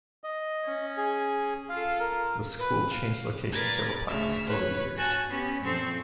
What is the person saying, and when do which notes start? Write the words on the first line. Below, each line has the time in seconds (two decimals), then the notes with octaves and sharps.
The school changed location several times over the years.
0.24 D#5
0.65 C#4
0.97 G#4
1.69 F4 A4 F5
2.00 A#4
2.59 B4
2.92 F5
3.52 A#2 A#4 B4 D5 G#6 A6
4.06 D2 C#3 E5 F6
4.48 B4 C#5
4.96 G2 F#4 G#5 A5 F#6 G#6
5.29 B3 C#4 G4
5.61 F#2 A#2 F3 C4 A4 C#6